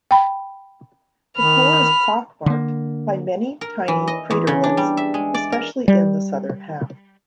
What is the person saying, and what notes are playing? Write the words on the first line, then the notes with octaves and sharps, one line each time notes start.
The floor is pock-marked by many tiny craterlets, especially in the southern half.
G5 B5
D#3 B5 F6
D3 A#3
A#4
E3
D#5
E2
C#3
D4
G3
E5
G#3
D5
A#4
G3